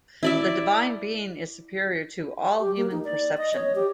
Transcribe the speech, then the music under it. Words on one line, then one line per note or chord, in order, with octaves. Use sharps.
The Divine Being is superior to all human perception.
E4 D5 E5
G4
A#3
D#4
D5
D#5
C#5
G4